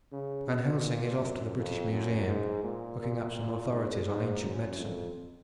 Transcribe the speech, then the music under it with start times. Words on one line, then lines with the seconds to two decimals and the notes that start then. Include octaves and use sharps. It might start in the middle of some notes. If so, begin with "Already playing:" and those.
Van Helsing is off to the British Museum looking up some authorities on ancient medicine.
0.12 C#3
0.48 B2
0.84 A#2
1.20 F#2
1.56 F2
1.91 F#2
2.27 G#2
2.63 A#2
2.99 A#2
3.36 A#2
3.72 G#2
4.07 G#2
4.43 F#2
4.79 F2